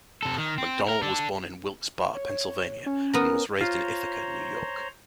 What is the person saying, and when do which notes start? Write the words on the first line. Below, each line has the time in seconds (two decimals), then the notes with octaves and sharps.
McDonnell was born in Wilkes-Barre, Pennsylvania, and was raised in Ithaca, New York.
0.23 C3 A4
0.38 D#3
0.58 C4
0.88 A#4
1.02 D4 A4
2.15 C#5
2.86 C#4
3.13 B3 A#4
3.61 F4 C5 C#5 A#5